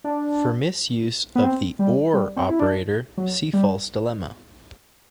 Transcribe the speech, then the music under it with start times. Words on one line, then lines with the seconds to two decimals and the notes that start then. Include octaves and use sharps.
For misuse of the "or" operator, see false dilemma.
0.04 D4
1.35 B3
1.44 C4
1.79 G3
2.14 G3
2.36 C4
2.50 E4
2.59 D4
3.18 F#3
3.53 G3